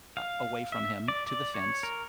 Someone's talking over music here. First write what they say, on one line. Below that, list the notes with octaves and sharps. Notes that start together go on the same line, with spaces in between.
a away from him to the fence,
F5
E5
D5
D5
C#5
A#4